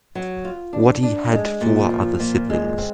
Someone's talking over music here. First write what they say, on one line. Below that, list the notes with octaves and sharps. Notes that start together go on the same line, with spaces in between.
Waddy had four other siblings.
F#3
F4
D4
D4
G#3
A#2
F3
A#2
G#3
C4